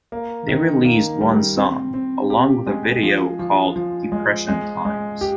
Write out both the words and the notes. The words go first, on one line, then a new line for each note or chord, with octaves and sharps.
They released one song, along with a video, called 'Depression Times'.
A#3
D#3
A#3
G3
C4
C4
G4
G#3
F3
F3
F3
G#3
G#3
G#3
G4